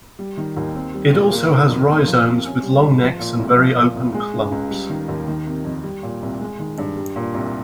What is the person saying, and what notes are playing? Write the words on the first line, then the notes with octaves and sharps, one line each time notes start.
It also has rhizomes with long necks and very open clumps.
G3
D#3
D#2
C4
G3
A#2
A#3
D#3
F2
A#3
F3
C3
C#4
G3
G#2
F3
A#2
C2
F3
A#2
C2
G#3
C#3
C#2
G3
D#3
D#2
D#3
C3
F2
G3
A#2
C2
G#3
D#3
G2
G3
A#2
C2